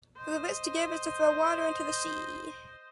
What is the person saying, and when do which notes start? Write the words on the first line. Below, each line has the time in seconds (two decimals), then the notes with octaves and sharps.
For the rich to give is to throw water into the sea.
0.17 C5 D#5